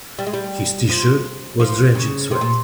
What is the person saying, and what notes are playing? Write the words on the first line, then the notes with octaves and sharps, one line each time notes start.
His t-shirt was drenched in sweat.
G3
G#3
G3
F3
F3
C#3
C3
A#2